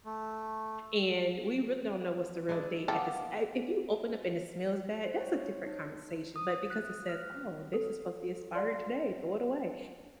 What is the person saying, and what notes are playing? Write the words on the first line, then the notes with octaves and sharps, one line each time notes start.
and, we really don't know what's the real date if it's eh if you open up and it smells bad, that's a different conversation, but because it says, "Oh, this is supposed to be expired today, throw it away."
A3
G#3 D4 E4
E3 A#3 B3 G4 A4
C5
C#5
D#4
D#6
F#6
F6
A4
D5 F5 C6